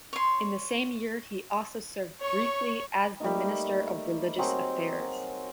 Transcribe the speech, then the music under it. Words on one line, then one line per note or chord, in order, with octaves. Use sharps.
In the same year he also served briefly as the Minister of Religious Affairs.
C#5 C6
C#5 C#6
G3 A3 A#3 D#4
F#3 C4 G#4 A#4